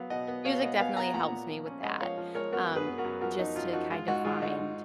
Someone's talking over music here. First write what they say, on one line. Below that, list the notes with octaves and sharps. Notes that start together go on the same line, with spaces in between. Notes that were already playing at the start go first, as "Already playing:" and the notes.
Music definitely helps me with that, um, just to kind of find,
Already playing: F#3 B3 F5
B2 D#5 F#5
B3
B2 C#5 F5
B3 D#5 F#5
B3 F5 G#5
B3 F#5 A#5
A#2 F#5 A#5
A#2
F3
C#4
G#3 D#5 F#5
F3 C#5 F5
F3
G#3 A#4 C#5
B3 F#4 A#4
F#2
G#4 B4
B3
F#4 A#4
F#2
F3 F#4 A#4
F3 D#4
F#2 F4
F3 D#4 F#4
G#3 F4
G#2 D#4 F#4
G#2 F4 G#4
G#2 D#4 F#4
G#2